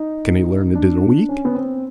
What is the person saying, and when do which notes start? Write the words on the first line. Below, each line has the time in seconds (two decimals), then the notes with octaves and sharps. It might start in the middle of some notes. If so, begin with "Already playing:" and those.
Can he learn it in a week?
Already playing: D#4
0.75 D4
1.29 C#4
1.45 B3
1.55 C4